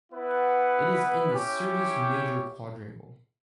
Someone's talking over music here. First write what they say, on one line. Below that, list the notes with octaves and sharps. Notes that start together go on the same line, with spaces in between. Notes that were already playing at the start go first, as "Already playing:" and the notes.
It is in the Syrtis Major quadrangle.
B3 E4 B4 F#5
C#4 E4 G4 C#5